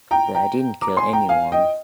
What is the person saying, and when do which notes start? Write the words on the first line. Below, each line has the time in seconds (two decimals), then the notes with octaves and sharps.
But I didn’t kill anyone.
0.11 G5 A#5
0.35 G5 A#5
0.82 A#5 D6
0.97 G#5 C6
1.13 G5 A#5
1.29 F5 G#5
1.52 D#5 G5